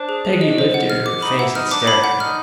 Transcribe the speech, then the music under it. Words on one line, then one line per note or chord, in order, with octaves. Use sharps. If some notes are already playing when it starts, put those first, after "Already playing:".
Peggy lifted her face and stared at me.
Already playing: D4 C5
G#4
G#4
D#5
C5
F#5
F6
D6
D#4 B5
E4 F#5
D#4 F6
D4 D6
D#4
D4 B5
F#5
D#4 F6